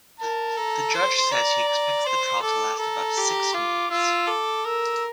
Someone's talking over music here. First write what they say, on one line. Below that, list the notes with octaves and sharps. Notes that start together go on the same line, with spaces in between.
The judge said he expects the trial to last about six months.
A#4 A5
A4 A#5
C5 C6
D5 A#5
A#5
C5 C6
A4 D6
A4 A#5
G4
F4 D6
F4 E6
A4 D6
A#4 E6